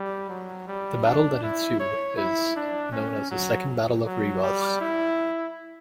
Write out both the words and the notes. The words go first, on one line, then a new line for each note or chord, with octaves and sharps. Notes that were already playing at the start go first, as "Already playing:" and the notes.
The battle that ensued is known as the Second Battle of Rivas.
Already playing: G3
F#3
G3
D4
E4
C#5
E4
D4
C#4
F#3
F#3
G3
E4